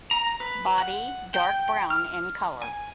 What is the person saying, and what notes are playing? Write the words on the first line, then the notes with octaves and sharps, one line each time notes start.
Body dark brown in color.
A#5
B4
F#5
G5
F6
G#5